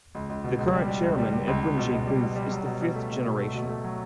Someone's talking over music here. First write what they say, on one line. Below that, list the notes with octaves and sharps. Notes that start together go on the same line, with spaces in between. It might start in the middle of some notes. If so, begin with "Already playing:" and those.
The current chairman, Edwin J. Booth, is the fifth generation.
C#2
C#2
B2
C#2
G3
G3
C#2
G3
G3
C#2
C#2
B2
C#2
G3
B2
G3
F#3
B2
B2
A3
B2
B2
A3
B2
A3
F#3